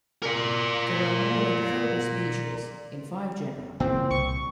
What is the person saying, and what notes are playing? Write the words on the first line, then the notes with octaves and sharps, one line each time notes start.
There are more than thirty species in five genera.
A#4 D5
A#2 C#3 E3 C4
C2 C#6